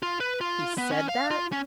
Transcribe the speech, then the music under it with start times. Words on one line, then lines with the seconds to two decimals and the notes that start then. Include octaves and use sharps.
"He said that?"
0.03 F4
0.20 B4
0.41 F4
0.78 B3
0.92 C#4
1.09 F5
1.31 F4
1.52 C#4